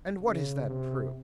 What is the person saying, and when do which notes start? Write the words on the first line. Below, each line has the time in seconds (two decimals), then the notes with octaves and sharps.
"And what is that proof?"
0.23 C#3
0.66 C3